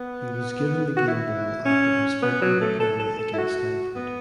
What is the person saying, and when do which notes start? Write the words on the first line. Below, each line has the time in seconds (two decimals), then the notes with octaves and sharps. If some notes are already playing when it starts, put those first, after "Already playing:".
He was given the game ball after his fumble recovery against Stanford.
Already playing: B3
0.97 F#4
1.07 E4
1.65 C#4
2.22 B3
2.42 F#3
2.61 A3
2.80 A4
2.99 A4
3.19 A4
3.33 E4
3.38 F#4
3.96 B3